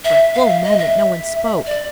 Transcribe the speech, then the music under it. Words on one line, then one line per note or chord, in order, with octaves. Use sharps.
For a full moment no one spoke.
E5
F5
E5
D#5
E5
D5